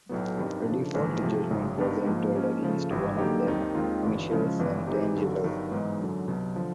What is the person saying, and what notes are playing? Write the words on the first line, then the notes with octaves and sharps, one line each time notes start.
A default judgment was entered against one of them, Michelle Santangelo.
B1 A2 F#3 B3
G2 D#3 G3 C4
C#3 F3 A3 D4
A#1 G#2 E3 G#3
C3 F3 A3
G#1 F#2 C#3
G2 D#3 G3 B3 D4
G#2 F3 A#3
G#2 F3 A#3 C#4
C#3 F3 A3
G#1 G2 E3
D3 F#3 A#3 D#4 G4
D#2 D#3 G3 C4 D#4
D#2 D#3 G#3 C4 F4
G1 G2 E3
C#3 F3 G#3 C#4 E4
G1 G2 E3 G3 B3
E3 G3 C4 D#4 G4
G1 G2 D3 F#3
G1 G2 D#3 F#3
G#2 E3 G#3 B3 D#4
F#2 D3 F#3
C2 B2 F#3
D3 F3